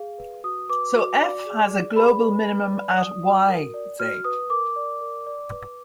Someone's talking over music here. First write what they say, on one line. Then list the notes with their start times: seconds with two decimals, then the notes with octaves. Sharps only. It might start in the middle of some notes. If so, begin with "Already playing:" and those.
So "f" has a global minimum at "Y" say.
Already playing: G#4 F5
0.18 B4
0.44 F#4 D#6
0.70 B4 D6
0.95 F#4
1.20 D5
1.46 G#4
1.71 D5
1.96 G#4 B5
2.22 B4
2.47 B4
2.73 D5
2.98 D5 D#6
3.23 F#4
3.48 A#4
3.74 D5
3.99 F#4 F6
4.24 B4 D#6
4.50 A#4 D6
4.76 D5
5.01 A#4
5.26 D5
5.51 B4